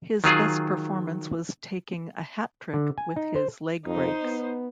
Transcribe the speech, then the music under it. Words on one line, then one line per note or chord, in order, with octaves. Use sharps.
His best performance was taking a hat-trick with his leg breaks.
D#3 F#3 F4 G#4
D3
G#5
D#4
C5
F2 D#4 C5
B3